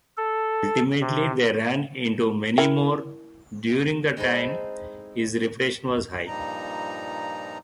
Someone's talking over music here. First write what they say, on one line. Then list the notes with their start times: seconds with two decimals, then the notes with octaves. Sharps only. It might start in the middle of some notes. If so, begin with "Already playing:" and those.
Ultimately they ran into many more during the time his reputation was high.
0.17 A4
1.01 C3
2.58 E4 A#4 G5
4.17 G#3 C4 D#4 E4 A4 C5
6.27 G2 A#2 F3 G3 D#4 A#5